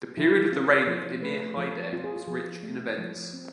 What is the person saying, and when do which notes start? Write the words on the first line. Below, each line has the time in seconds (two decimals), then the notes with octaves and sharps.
The period of the reign of Emir Haydar was rich in events.
0.17 F3 E4
0.52 C4 F4
0.87 F3 C5
1.22 A3 B4
1.57 F3 A4
1.93 C4 F4
2.04 G#4
2.16 F4
2.27 F3 G#4
2.63 A3
2.98 F3
3.33 C4